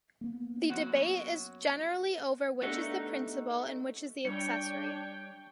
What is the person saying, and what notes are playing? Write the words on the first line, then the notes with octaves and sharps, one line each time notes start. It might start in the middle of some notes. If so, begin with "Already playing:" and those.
The debate is generally over which is the principal and which is the accessory.
A#3 B3
F#2 F#3 F#4
A3 B3 D4 D#4 G4 F#5
G3 D4 C#5 G5 C#7